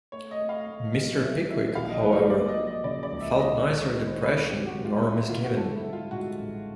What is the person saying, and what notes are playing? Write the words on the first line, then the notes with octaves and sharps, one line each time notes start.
Mr. Pickwick, however, felt neither depression nor misgiving.
A3 C#5
D#5
A3
F5
A3
B1
F#3 E5
D#3 E5
A#1 F5
D#5
F#3 B4
C5
A#3 D5
D#5
F3
D#5
C#3 D5
D5
C#2
E5
D#3 D#5
D#3
C#5
D#3
C5
C3 B4
B4
F#3 G4
F#4
B3
F4
B3 E4
E4
D3 F4
F#4
G#2 A4
E4
G3
F4
G#2 F#4
A1